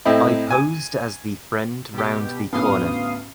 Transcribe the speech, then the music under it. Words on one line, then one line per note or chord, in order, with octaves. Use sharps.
I posed as the friend round the corner.
A2 C4 D#4 E4
G#5
B2 G4
A1 D2 B3 F5 C6 D#6